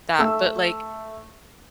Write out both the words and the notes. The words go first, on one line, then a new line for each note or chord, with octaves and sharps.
that, but, like
A3 E6